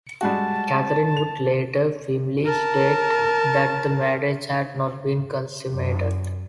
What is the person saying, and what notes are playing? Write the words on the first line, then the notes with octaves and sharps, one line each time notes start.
Catherine would later firmly state that the marriage had not been consummated.
G3 G#3 F#4 A5
F7
A#4 A5
F#2